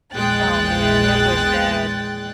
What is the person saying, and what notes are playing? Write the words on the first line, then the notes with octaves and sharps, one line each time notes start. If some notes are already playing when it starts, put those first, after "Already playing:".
Oh, man, it was bad.
A#1 E2 G#3 G5 F#6 A6